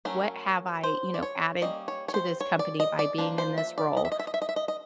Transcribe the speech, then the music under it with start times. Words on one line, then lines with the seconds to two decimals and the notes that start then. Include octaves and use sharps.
what have I, you know, added to this company by being in this role?"
0.05 F#3 A3 C#4 A#4
0.83 C5
1.14 D5
1.23 C#5
1.61 G3 A#3 C#4 D#5
1.88 C#5
2.08 C#5
2.14 C5
2.41 C#5
2.59 D5
2.80 D#5
2.99 D5
3.18 F3 A#3 D4
3.38 C5
3.58 E5
3.78 D5
3.97 D#5
4.05 E5
4.12 D#5
4.19 E5
4.27 D#5
4.34 E5
4.42 D#5
4.49 E5
4.56 D#5
4.68 D#5